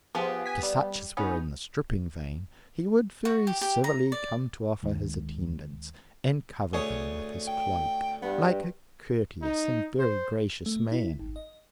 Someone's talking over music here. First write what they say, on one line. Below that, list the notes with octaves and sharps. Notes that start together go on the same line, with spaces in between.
To such as were in the stripping vein he would very civilly come to offer his attendance, and cover them with his cloak, like a courteous and very gracious man.
F3 B3 G4 G#4 C6
G#5 B6
G3
B3 C#4 D#4
F#4
G4
G4
A#5
D5
D2 D#3 G#3
D2 G#4 C#5
G5
G2 B3
D#4
C5
A3
E4
G#1
D#5